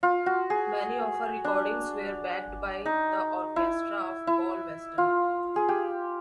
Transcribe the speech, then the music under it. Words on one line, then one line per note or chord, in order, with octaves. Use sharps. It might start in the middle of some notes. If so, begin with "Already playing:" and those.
Many of her recordings were backed by the orchestra of Paul Weston.
F4
F#4
G#4
D4
D#4
E4
E4
F4
G#4
G4